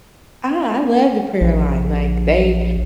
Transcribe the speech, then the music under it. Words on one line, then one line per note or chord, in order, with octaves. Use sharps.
I I love the prayer line, like, they,
A#1